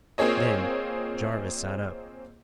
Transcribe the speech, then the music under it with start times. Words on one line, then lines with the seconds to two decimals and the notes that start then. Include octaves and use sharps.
Then Jarvis sat up.
0.18 A#3 C4 F4 G#4 C#5 D#5